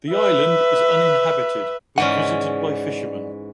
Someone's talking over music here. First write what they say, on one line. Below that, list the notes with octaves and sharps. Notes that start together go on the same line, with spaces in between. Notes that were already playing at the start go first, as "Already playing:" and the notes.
The island is uninhabited but visited by fishermen.
B4 E5
G#2 E3 C#4 D5 F#5